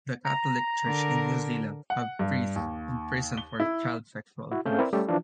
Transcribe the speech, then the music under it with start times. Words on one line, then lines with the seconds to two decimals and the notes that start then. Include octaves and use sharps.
The Catholic Church in New Zealand had priests imprisoned for child sexual abuse.
0.25 A#5
0.85 D3 A#4
1.90 F#5
2.19 G2
2.56 D#2
3.37 G7
3.60 E4
4.51 E4 F#4
4.66 A3 C4 C#4 G#4 F5 G6
4.79 C4 E4 A#4 B4 D5 E5
4.93 G3 A3 C#4 G4 A4
5.08 E3 F3 D4 F4